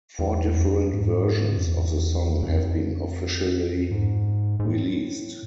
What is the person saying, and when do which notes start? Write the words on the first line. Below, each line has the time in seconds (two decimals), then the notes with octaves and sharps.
Four different versions of the song have been officially released.
0.19 E2
0.57 F2
0.93 G#2
1.57 F2
1.67 E2
2.43 F2
3.91 G#2
4.60 G#2
4.65 A2